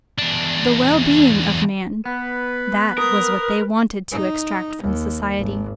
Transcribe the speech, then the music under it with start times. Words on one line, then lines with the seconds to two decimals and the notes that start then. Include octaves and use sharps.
The well-being of man, that was what they wanted to extract from society.
0.18 E2 D4
2.06 B3 B4
2.98 A#4 D#6
4.11 D#4
4.82 D#2
5.38 G#1